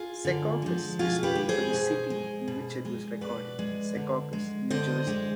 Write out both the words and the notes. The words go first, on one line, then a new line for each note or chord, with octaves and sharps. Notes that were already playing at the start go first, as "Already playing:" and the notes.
"Secaucus" is named for the city in which it was recorded, Secaucus, New Jersey.
Already playing: F4 G#4
D3
F3 G#3
B2 F4 G#4
G4 B4
G#3
G#4 C5
B2
G#3
B2
G#3
B2 B4 D5
G#3
D3
G#3
D3 C5 D#5
G#3